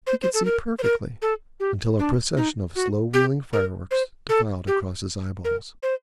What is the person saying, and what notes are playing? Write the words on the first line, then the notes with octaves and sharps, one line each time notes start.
He could see perfectly, until a procession of slow-wheeling fireworks defiled across his eyeballs.
C5
C5
A4
A#4
C5
A#4
A4
G4
D4
D#4
F#4
G4
A#4
C5
A4
G4
A#4
C5